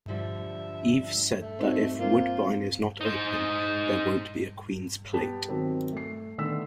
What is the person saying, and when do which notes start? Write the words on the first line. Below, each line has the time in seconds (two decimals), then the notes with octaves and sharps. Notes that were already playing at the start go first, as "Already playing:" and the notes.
Eaves said that if Woodbine is not open, there won't be a Queen's Plate.
0.08 D3 F3 G3 E5
1.41 A3
1.59 C4 D#4 F#4
1.99 A#3 C4 F4
3.01 D#4 C5
5.13 B3 G4 A5 B6
5.48 D#3 F#3 C4 F#4 A#4
5.93 A3 C7
6.38 D3 D#3 A3 B3 E6 B6